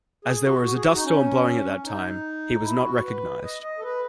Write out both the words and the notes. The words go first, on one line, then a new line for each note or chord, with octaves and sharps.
As there was a dust storm blowing at that time, he was not recognized.
G#4
F#4
F#4
G#4
F#4
D#4
C#4
D#4
E4
F#4
B4
D#5
D#5
A4
B4